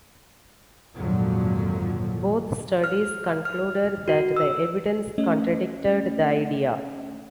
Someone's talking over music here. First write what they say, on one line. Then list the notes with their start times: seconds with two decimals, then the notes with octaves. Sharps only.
Both studies concluded that the evidence contradicted the idea.
0.98 G#1 F2 A#2 D3 F3 F#3
2.84 F6
3.45 F6
4.08 F#4
4.36 E6
5.18 A3 C#4 D#5